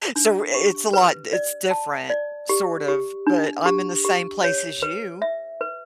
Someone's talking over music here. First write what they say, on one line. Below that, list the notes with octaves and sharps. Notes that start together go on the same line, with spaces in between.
So, i it's a lot it's different, sort of, but I'm in the same place as you.
D4
G4
B4
D5
A5
D5
G4
G4
D4
G4
G4
C#5
B4
E5
B4